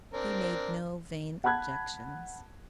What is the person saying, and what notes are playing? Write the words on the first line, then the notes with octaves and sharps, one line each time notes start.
He made no vain objections.
C4 D4 A#4
F#5 A5 B5 F#6 G#6